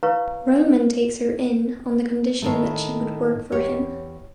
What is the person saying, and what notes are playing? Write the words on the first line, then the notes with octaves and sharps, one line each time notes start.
Roman takes her in on the condition that she would work for him.
E4 B4 C#5 F5 A#5 C#6
A2 D#3 A3
E2 G4 C#5